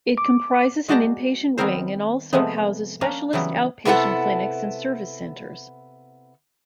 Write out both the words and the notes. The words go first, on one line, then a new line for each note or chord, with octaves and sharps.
It comprises an inpatient wing and also houses specialist outpatient clinics and service centres.
D6
G#3 F#4 D5 G5 A5 A#5
D#3 G3 B3 C4 A#4 C5
C3 F3 G#3 A3 B3
A#3 C#4 D4
C#3 E3 F#3 G3 B3
C3 B3 E4 A4 F#5